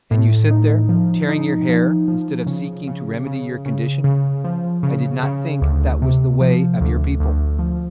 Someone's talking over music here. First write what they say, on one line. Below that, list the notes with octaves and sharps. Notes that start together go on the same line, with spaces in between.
"And you sit there, tearing your hair, instead of seeking to remedy your condition; I did not think that was the way of your people."
A2
D#4
F3
D#4
F3
F3
C#3
C#3
C#3
C#3
C#3
F3
C#3
C#3
D2
C3
F3
D2
D2
F3